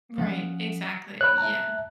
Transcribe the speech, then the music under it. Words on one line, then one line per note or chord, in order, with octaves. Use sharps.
Right, exactly, yeah.
F3 C#4 F#5
C#5 B5 F#6
E5 A5 A#5